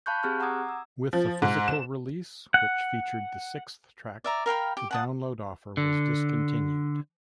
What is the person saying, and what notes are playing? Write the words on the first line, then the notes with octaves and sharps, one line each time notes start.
With the physical release, which featured the sixth track, the download offer was discontinued.
F5 A5 B5 C#6 F#6 G6
C4 G4 G#4 C#6 F6 F#6
F#5 A#5 D6 D#6 G#6
E6
F3
G#2
E7
F#5
D5 E5 A#5
A#4 F5 G5 B5
G4
F#5 A5 D#6
D3